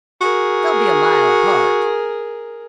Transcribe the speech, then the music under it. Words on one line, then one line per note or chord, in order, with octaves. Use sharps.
They'll be a mile apart.
F#4 G#4 A#4